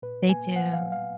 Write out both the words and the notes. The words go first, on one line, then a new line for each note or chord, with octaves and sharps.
They do.
A#2 B4
A#3 G#5
F#3 F#5
F5
A#2
F5